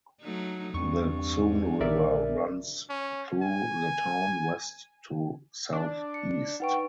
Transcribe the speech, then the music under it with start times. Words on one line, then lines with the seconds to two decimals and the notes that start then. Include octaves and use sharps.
The Xun River runs through the town west to southeast.
0.22 F#3 A3 D#4
0.74 E2 G2 C4 C#6
1.80 A#1 D3 A#4 D5 E5
2.90 C#4
3.43 G#5
5.73 D4
6.14 C#7
6.60 D#4 B4 F#5 G5 C#6 D7